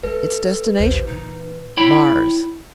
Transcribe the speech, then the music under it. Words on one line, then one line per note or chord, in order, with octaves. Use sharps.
Its destination--Mars!
A3 A4 B4
A#1 D#2 C5
A#2 E3 D#4
E4 C#5 G5 B5